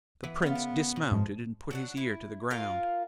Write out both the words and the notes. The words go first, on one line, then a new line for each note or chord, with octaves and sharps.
The Prince dismounted and put his ear to the ground.
E3 B3
C#3 B3 F4
A#3
B2
G#2 F3 G#3
F#3 D4 F#5
E4
F4 A#4 F5